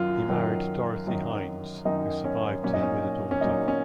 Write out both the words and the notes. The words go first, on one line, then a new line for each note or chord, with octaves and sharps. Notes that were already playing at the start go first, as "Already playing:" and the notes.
He married Dorothy Hines who survived him with a daughter.
Already playing: F#2 D#3 F#3 F4
F#2 D#3 F#3
F#2 D#3 F#3
F#2 D#3 F#3 D#4
C#4
A#2 F#3 C#4
D#4
C#4
C#4
A#2 F#3 D#4
C#4